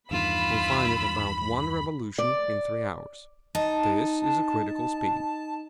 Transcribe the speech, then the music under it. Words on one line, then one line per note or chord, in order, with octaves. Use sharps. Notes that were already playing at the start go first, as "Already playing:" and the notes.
We find it about one revolution in three hours. This is a critical speed.
E2 G2 D#3 F4 B5 E6
D5
D#4 A5